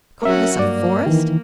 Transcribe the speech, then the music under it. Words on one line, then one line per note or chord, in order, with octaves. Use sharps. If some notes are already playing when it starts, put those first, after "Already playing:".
Call this a forest?
F#3 C#4 F#4 A#4 E5
G2 A#3 D5
D#3 E3